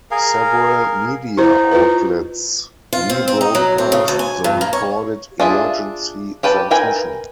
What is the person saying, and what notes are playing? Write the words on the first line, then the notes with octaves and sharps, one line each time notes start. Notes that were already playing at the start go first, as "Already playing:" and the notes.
Several media outlets rebroadcast the recorded emergency transmission.
G#4 A#4 F5
D#4 E4 C5
F4 B4
F4
C4
C4
D#4
F#3
C4
C#3
D2
G#5
G2
A#3
C#5
D4 F4 G#4 E5
G4 B4 G5 A5
A#4 B4 G5 G#5